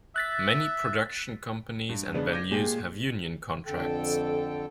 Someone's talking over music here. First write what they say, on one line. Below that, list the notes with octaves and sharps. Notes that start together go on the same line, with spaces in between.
Many production companies and venues have union contracts.
E5 F#6 A6 B6
G2
C#3 G#3 B3 D4
D6 G6 G#6 A#6
A#2 G#3 G4 G#4
F2 D3 A4 G5